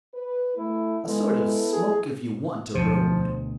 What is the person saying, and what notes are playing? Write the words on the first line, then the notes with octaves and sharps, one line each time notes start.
A sort of 'smoke-if-you-want-to' road.
B4
A3 E4
G#3 B3 E4 A4
G#4
D2 B2 F3 C5